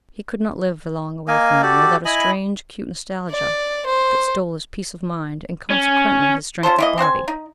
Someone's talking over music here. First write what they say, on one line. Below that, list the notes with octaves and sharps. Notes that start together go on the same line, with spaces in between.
He could not live for long away from them without a strange, acute nostalgia that stole his peace of mind and consequently his strength of body.
A#3 D#5 F5 G#5
F#4 G4 A4 D5
E4 D#5 G#5 B5
D5
C5
C#4
C#4 F4 A4 C5
E3 A#3 D#5
C4 C5 F#5 G#5
D#4